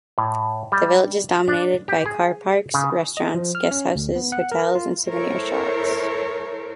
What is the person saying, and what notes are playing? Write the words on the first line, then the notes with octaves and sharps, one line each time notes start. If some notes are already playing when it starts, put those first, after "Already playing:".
The village is dominated by car parks, restaurants, guesthouses, hotels and souvenir shops.
A2
G3
D4
G4
G#4
C#3
D#5
F3
F6
C#4
D2
B3
F#5
A#4
F4
E4 A4 A#4 C5 C#5